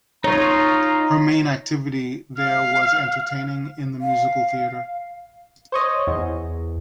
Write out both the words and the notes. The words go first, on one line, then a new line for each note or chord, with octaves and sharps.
Her main activity there was entertaining in the musical theater.
D#4 F4 C#5 A#5
F5
F5
C5 C#5 D#5
E2